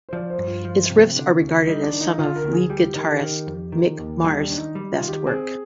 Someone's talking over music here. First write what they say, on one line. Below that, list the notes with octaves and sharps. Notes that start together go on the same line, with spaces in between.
Its riffs are regarded as some of lead guitarist Mick Mars' best work.
C5
F3 D5
C5
G2
F4
F3
C3
D3
D2
G3 D#4
D4
D#3
D#4
D3 F4
A#4
D2
G#4
G3 G4
D#3
D#3
F2
D#3
D#2
G3 D#4
D4
D#3
D#4
G3
F4
D#3
G4
C4 G#4